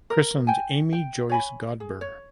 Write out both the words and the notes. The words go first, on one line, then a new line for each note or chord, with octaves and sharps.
Christened Amy Joyce Godber.
A#4
G5 G#5
G5
C#5 G#5 B5
G#4
C#5